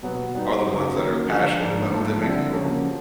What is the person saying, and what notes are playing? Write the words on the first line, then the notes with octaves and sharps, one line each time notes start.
are the ones that are passionate about what they make anymore,
B2 F#3 B3
G3 B3 D#4
F#2 C#3 F#3
D#3 F#3 A#3 C#4
D3 F3 G#3
G#2 F3 A#3 D4
G#2 F3 A3
D3 G3 C4 E4 A4
C#3 F3 A#3 C#4 F#4
F3